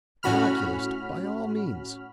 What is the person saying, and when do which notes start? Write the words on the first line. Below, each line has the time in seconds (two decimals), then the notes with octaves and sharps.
An oculist, by all means.'
0.23 A2 C#4 F#4 B5 F6